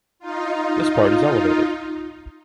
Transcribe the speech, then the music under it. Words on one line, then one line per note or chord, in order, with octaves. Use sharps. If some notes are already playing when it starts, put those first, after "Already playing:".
This part is elevated.
D#4 F4